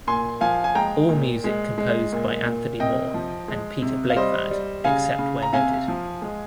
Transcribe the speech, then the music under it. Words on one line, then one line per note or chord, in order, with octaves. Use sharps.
All music composed by Anthony Moore and Peter Blegvad, except where noted.
A#2 G#5 C6
F3 F5 G#5
G#5
G#3 G5 A#5
A#2
G#3
G#3
A#2
A#2
C3 D#5 G5
F3
G#3
C3
F5
G3 C5 D#5
G3
C#3 F5 G#5
C#3
A#5
C3 F5 G#5
F3
G#3